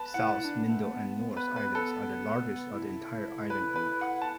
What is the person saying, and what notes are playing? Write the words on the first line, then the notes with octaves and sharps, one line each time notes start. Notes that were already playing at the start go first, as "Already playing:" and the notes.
South, Middle and North islands are the largest of the entire island group.
Already playing: B4 A5
E4 F#5
E4
D4
B3
A3
B3
B3
B4
B4
A4
E4
B4
B4
F#5
A5